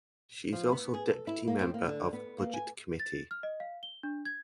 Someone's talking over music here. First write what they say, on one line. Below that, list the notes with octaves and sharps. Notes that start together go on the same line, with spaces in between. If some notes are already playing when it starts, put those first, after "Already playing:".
She is also deputy member of the budget committee.
F3
B3
G#4
A4
E4
A#3
C4
A#3
D3
B3
A#3
G#5
A6
F6
D#5
F5
G7
D4
G#6